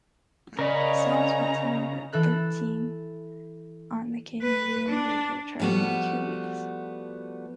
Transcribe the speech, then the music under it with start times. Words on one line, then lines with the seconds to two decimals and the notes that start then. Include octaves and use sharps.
The song went to number thirteen on the Canadian radio charts in two weeks.
0.59 C#3 C#4 A#4 D5 D#5 A#5 B5
2.13 E3 A4 F#6
4.42 B4
4.89 D4
5.59 F3 G3 A3 B3 F#4